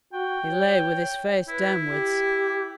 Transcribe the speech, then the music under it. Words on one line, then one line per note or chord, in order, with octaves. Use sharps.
He lay with his face downwards.
F#4 G5
C#5
E4 B4
G4